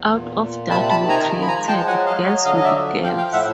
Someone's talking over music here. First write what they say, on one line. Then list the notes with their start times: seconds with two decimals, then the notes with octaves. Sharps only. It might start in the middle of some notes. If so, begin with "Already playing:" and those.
Out of that we created "Girls Will Be Girls".
Already playing: E2
0.12 A#2
0.42 A#2
0.71 C3 A5 B5
0.90 A5 B5
0.99 D#3
1.09 G#5 A#5
1.29 F3
1.41 B5
1.48 G#5 A#5
1.58 G#3
1.68 G5 A5
1.87 F#3 F#5 G#5
2.06 D#5 F5
2.17 F#3
2.26 C#5 D#5
2.45 D3 D#5 F5
2.56 D#5
2.64 D5 E5
2.75 F3
3.03 F3 F5 G5
3.18 F5 G5
3.32 A2 E5 F#5